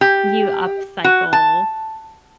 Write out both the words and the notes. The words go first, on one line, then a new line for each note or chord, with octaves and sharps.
you upcycle
G4
F#4
A5